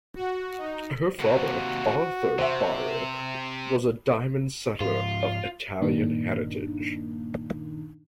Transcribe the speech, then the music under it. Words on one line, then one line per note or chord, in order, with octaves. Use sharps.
Her father, Arthur Bari, was a diamond setter of Italian heritage.
F#4
D#4
D#2 C3 F#4
C3 C5 E5
G#2 F3 F4
G2 A#2 D#3 A#3 D4 D#4